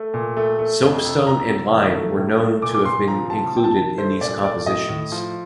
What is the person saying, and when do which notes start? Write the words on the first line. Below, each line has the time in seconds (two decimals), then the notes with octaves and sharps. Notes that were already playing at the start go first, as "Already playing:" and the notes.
Soapstone and lime were known to have been included in these compositions.
Already playing: A3
0.14 A#2
0.37 A3
0.59 A3
0.82 F2
1.05 C3
1.27 C3 A#5
1.49 C3
1.72 D#3
1.95 A3
2.17 A2
2.40 A3
2.62 A#2 D6
2.75 D6
2.85 A#2 C6
3.08 F3 A#5
3.30 C3 A5
3.53 C3 G5
3.64 A5
3.76 D#3
3.98 A3 C5
4.21 A#2 D5
4.44 A3 D5
4.66 A2 D#5
4.89 A2
5.12 F3